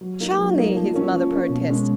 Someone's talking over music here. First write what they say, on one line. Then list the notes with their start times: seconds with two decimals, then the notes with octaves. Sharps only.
"Charlie!" his mother protested.
0.01 F#3
0.20 A#3 D#4
0.39 F#3
0.58 A#3 D#4
0.76 F3
0.94 A#3 C#4
1.12 F3
1.31 A#3 C#4
1.49 B2
1.68 G#3 C#4